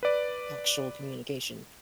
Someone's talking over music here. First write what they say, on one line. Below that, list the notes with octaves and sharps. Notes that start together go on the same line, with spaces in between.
actual communication.
B4 D5